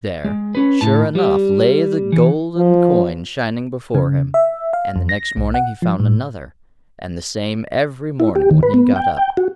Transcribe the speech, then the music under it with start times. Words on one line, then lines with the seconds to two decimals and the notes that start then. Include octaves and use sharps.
There, sure enough, lay the golden coin shining before him, and the next morning he found another, and the same every morning when he got up.
0.24 G#3
0.55 C#4 B4
0.81 A2 A5
1.15 G3
2.12 E3
2.57 F3
3.95 C#3
4.34 E5
4.73 F5
4.96 F2
5.09 A#6
5.37 B1
5.54 F#5
5.82 F3
6.00 A2
8.20 E4
8.36 G4
8.51 D#3
8.63 B4
8.74 B3
8.96 G5
9.17 G5
9.37 F#4